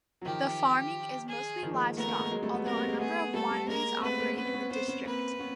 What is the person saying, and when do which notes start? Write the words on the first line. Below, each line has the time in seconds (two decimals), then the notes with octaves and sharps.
The farming is mostly livestock although a number of wineries operate in the district.
0.22 F#3
0.25 D#3 F3 G4
1.28 G#4
1.63 D#3 F3
1.74 G#3 A#3
1.97 A3 B3 A#4
2.08 A3 B3
2.20 G#3 A#3
2.31 F#3 G#3
2.43 G3 A3
2.54 A3 B3
2.65 A#3 C4 A#4
2.77 A3 B3
2.88 G#3 A#3
3.00 A3 B3 G#4
3.34 G3 A3 A4
3.51 G3 A3
3.68 G#3 A#3 A#4
3.97 C4
4.03 A3 B3 B4
4.19 A#3 C4
4.37 B3 C#4 B4
4.45 C4
4.54 B3 C#4
4.71 B3 C#4 C5
4.88 B3 C#4
5.05 A#3 C4 B4
5.32 C4
5.39 B3 C#4